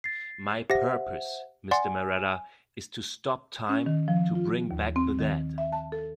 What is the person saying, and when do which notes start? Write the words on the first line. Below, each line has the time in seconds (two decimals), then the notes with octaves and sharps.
My purpose, Mr. Marratta, is to stop time, to bring back the dead.
0.04 A6 C7
0.70 G4 C5 E5 F#5 A#6
1.71 D5 F#5 G#5 C6
3.69 C#4
3.86 D#3
4.08 F3
4.35 F4
4.71 D#2
4.96 C4
5.19 D#3
5.58 E5
5.73 A5
5.92 A4